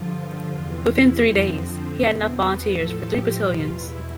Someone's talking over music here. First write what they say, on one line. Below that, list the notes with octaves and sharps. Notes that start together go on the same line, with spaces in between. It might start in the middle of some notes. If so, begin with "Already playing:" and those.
Within three days, he had enough volunteers for three battalions.
Already playing: G2 D3 F3 F4
E2 C3 E3
E4
F2 D3 F3 C4
E2 B2 C4
B3
A2 F3 A4
G4
E2 B2 F4
E4